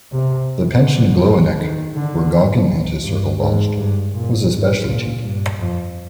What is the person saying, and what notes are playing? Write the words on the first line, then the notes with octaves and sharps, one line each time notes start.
The Pension Gloanec, where Gauguin and his circle lodged, was especially cheap.
C3
D3
D3
D#3
D3
G2
G#2
G2
A#2
G#2
A#2
G2
F2